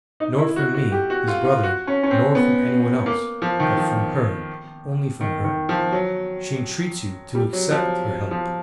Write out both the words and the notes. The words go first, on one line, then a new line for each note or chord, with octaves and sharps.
Nor from me, his brother, nor from any one else, but from her, only from her! She entreats you to accept her help....
D#4
E4
F#4
F#4
G4
F#4
F4
F4
F#4
C#4
C#4
C4
B3
A#3
F3
D#3
F3
D#3
D#3
F3
F#3
G3
F#3
F3
F3